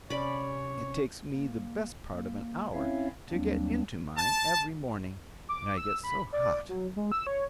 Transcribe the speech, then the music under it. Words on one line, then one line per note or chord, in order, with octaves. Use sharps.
It takes me the best part of an hour to get into mine every morning, and I get so hot!
C3 C#4 C#5 D5 B5
A#3
A#3
C4 C#4 E4 C#5 E5 F5
D#2 F#3 G3 A#3 C4 D4
A5
D6
E6
B5
D5
F#3
G#3
E6
C#5